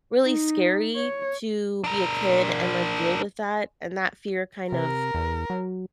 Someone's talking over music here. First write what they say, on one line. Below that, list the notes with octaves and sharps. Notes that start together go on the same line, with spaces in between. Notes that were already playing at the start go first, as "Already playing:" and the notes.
really scary to be a kid and, like, deal with that, and that fear kind of
D#4
C#5
D4 A#4
C3 A#4
E2
F#3